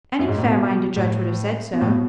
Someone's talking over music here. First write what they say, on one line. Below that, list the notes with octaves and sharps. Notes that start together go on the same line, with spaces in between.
Any fair-minded judge would have said so.
F#2
G#2
A2
B2
A2
B2
A2
B2